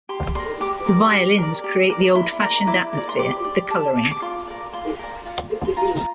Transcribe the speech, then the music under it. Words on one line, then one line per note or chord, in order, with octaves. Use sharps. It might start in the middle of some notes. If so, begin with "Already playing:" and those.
The violins create the old-fashioned atmosphere, the colouring.
G4 C6
A#4 D5 C6
G4 D6
A#4 D5
G4
A#4 D5
G4
A#4 D5
E4 C6
A#4 D5 A#5
E4 D6
A#4 D5
C6
G4 D6
D5
G4 A5
D5
D6
F4 C6
A#4 D5
F4 C6
A#4 D5
F4
C5
C6
F4 A#5